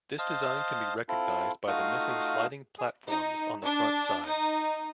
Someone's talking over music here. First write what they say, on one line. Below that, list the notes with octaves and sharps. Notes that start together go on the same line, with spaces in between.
This design can be recognized by the missing sliding platforms on the front sides.
C5 D#5 F5 A5
C4 E4 F4 A4
A3 D#4 F4 F#4 F5 D#6
G#4
D#4
D4
D#4